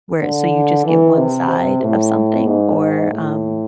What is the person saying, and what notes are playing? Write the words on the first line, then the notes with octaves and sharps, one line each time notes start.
where so you just get one side of something or, um
D3
E3
C3
C3
A2
G#2
A2